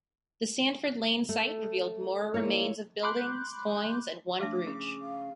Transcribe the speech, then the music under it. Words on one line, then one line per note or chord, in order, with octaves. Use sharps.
The Sandford Lane site revealed more remains of buildings, coins and one brooch.
A3
A#2 F3 A#3 E4 C#5
B5 C6 D6 F#6 G6
F3 A3 D4 D6
C#3
F5